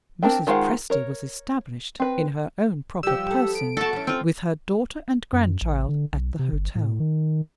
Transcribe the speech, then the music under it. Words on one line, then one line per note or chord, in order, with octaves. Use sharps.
Mrs. Presty was established, in her own proper person, with her daughter and grandchild at the hotel.
C4 D4 A#4 G5
D#3 G#3 F4 C5 F#5
A#4 C#5
C4 B4
F3 G3 G4 E6
B3 A4
D7
A3 B3 F#4 A4 A5
E3 C#4
C4 F4
F#2
A1
D3
B1
C3
G1
A2
D#3